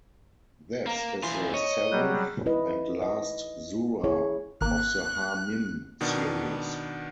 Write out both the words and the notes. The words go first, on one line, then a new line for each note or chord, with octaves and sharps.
This is the seventh and last Surah of the Ha Mim series.
A#3 A#5 E7
E3 F3 C6
C#5 D#5
F#3 G3 G#4 F#6 G6
E4 B4 D#5
D#5
E4 G#4 C#5
G#1 A#3 F#6
B2 D#3 B3 D4